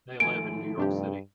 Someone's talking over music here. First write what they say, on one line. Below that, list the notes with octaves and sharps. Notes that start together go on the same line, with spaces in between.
They live in New York City.
D#3 F3 A3 G#5 D7
G2 C3 D4 G4